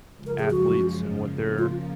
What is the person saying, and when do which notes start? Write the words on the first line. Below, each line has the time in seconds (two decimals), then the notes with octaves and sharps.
athletes and what they're
0.14 F#2 C#3 F3 G#3
0.26 A#4
0.39 G#4
0.51 F#4
1.10 C#3 F3 A#3
1.58 F4